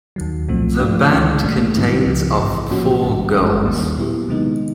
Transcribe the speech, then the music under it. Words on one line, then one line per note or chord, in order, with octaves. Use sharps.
The band contains of four girls.
D#2 D#3 F#3
C2 A#2 F3 A3 C4
G#2 F3 A3 D4 F4
C#2 C#3 E3 G#3 C#4
A#1 A#2 F#3 A3 D4
G#2 D#3 G3 C4 E4
C#2 C#3 F3
A#1 G#2 E3
A2 F3 A#3 C#4 F#4
A#1 G#2 D#3 G3
G#1 G2 E3 G#3 C#4
D#2 D#3 G3 A#3
A#2 F#3 B3 E4 G4
C3 D#3 G#3 B3 D#4